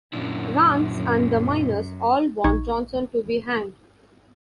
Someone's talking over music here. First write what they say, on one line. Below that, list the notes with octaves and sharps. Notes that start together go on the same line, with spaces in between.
Rance and the miners all want Johnson to be hanged.
F#2 A#2 D4 E4
A#1 D#4 C#6 G#6